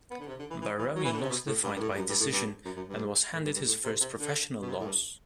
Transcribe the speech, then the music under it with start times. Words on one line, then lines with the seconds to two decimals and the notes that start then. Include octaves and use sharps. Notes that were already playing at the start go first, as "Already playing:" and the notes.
Baroni lost the fight by decision, and was handed his first professional loss.
0.11 B3
0.20 D3
0.28 C3
0.39 D3
0.50 E3
0.61 E3
0.79 E3
0.95 F#3
1.04 E3
1.13 D3
1.21 C3
1.29 B2
1.46 A2
1.63 G2
1.76 G2
1.80 A2
1.89 G2
1.97 F#2
2.09 G2
2.20 A2
2.31 G2
2.65 F#2
2.76 F#2
2.88 G2
3.33 A2
3.44 G2
3.55 G2
3.67 A2
3.84 C3
4.01 C3
4.18 D3
4.62 B2
4.69 C3
4.80 A2
4.86 G2